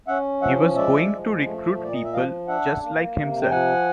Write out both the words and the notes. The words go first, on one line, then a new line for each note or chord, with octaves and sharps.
He was going to recruit people just like himself.
C#4 E5 F#5
F3 E5 F#5
G#3 D5 E5
F3
A3
A#2 D5
D#5
E5
F3 D#5 F5
D4 E5 F#5
A#3
C3
G5
F3 F#5 G#5